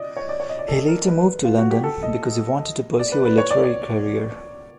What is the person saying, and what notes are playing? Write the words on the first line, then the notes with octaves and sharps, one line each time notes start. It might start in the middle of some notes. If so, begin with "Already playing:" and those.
He later moved to London because he wanted to pursue a literary career.
Already playing: D5 D#5
C#5
D5
C#5
D#5
D5
A4
A#4
B4
F4
F#4
G4
A4
D#5
D5
B4
B4
C#5
D5
D5